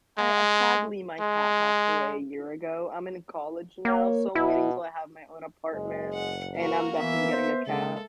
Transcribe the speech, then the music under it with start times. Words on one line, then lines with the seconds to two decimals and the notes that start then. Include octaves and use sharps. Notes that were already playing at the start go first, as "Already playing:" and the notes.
I uh, sadly, my cat passed away a year ago, I'm in college now, so I'm waiting till I have my own apartment, and I'm definitely getting a cat.
0.18 G#3
1.21 G#3
3.85 A#3 C#5
4.35 B2 E4
5.74 F#1 G#3
6.14 F#5
6.56 A#3 F#4 A#4
6.98 E3 B3 E5
7.32 C5
7.67 C#3 G#3 A#3 A4